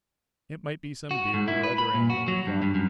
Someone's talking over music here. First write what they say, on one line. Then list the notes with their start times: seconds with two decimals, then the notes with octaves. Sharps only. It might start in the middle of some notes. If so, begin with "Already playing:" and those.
It might be some deer or other animal, he thought.
1.11 F#4
1.34 G#2
1.48 E4
1.63 B4
1.78 B5
1.94 A#2
2.10 F#4
2.28 F#3
2.47 G2
2.62 G2
2.75 F#2